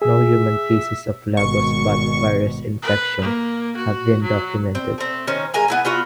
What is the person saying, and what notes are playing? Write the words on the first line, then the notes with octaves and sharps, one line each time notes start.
No human cases of Lagos bat virus infection have been documented.
G#4 E5
G#1 B2 C#6
B4
A#3
F#4
F#3
C4
A3 C4
D#3 C#4 C5
G#3 A#4 G#5 A#5
B3 E4 G#5
B3 F4 F#4 E5